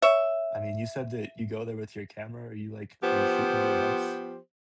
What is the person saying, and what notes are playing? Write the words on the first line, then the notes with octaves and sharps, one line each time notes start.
I mean, you said that you go there with your camera. Are you like, are you shooting the events?
C#5 E5
F3 B3 G4 C5